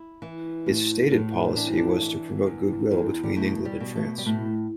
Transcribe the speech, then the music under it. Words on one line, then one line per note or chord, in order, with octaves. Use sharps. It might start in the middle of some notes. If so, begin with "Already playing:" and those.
Its stated policy was to promote goodwill between England and France.
Already playing: E4
E3
A2
A2
E3 D4
C4
D4
E3
E2
E2
G3
B2 A3
G3
B2
A3
G3
A2 A3